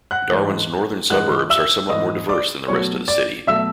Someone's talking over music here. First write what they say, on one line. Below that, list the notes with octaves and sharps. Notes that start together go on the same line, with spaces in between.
Darwin's northern suburbs are somewhat more diverse than the rest of the city.
F#5 F#6
G#2 E3 G#3
G#2 E3 G#3 F#5 F#6
E5 E6
G#2 E3 G#3 D#5 D#6
D5 D6
B2 F#3 A3 C#5 C#6
D5 D6
B2 F#3 A3 E5 E6